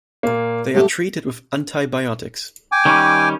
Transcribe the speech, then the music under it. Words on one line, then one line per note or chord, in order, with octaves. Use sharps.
They are treated with antibiotics.
A#2 A#3
G2 F#3 A3 G4
G5 G#5 D6
D#3 G3 C#4